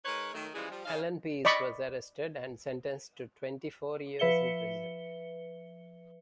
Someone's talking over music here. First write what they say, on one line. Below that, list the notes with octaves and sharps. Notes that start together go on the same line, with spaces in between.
Allen Pace was arrested and sentenced to twenty-four years in prison.
G#3 D#4 A#4 B4 C#5
D#3 F#3 A3
C#3 E3 F3 G3 G#3 G#4
F3 G3
C#3 D#4 F5
D5 D#5 B5 C#6
F3 B4 E5 C#7 G7